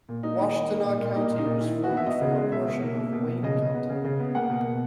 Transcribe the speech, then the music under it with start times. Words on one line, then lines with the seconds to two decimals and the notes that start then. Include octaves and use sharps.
Washtenaw County was formed from a portion of Wayne County.
0.09 A#2
0.23 A#3 D#4
0.39 D#3
0.54 D#3
0.70 A#3
0.85 A#2
1.00 A#2
1.15 A#3 D#4
1.30 A#2
1.38 D#4
1.45 A#2
1.61 D#3 E4
1.76 D#3
1.84 F#4
1.91 B3
1.97 E5
2.06 B3 D#5
2.21 C#3
2.37 G#3
2.52 B2 E5
2.68 B2
2.82 A#3
2.98 A#3
3.13 B2
3.28 B2
3.43 C#3 D#5
3.59 C#3
3.74 B3
3.89 C#3
4.04 C#3
4.20 B3
4.35 A#3 F#5
4.50 B2
4.65 B2